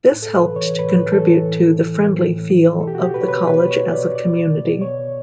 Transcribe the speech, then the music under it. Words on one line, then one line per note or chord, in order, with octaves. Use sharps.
This helped to contribute to the friendly feel of the college as a community.
A2
A4
A2
B4
E3
C#5
E3
A2 B4
A2
E3 A4
E3
A2
A2
E3
E3
A2
A2
E3
E3
B2 A4
G4
B2 F#4
G4
B2 B4
C#5
B2 B4
B2 B4
B2
C#5
B2
D5
B2
B2 D5
B2
B2
B2
B2 C#5
B2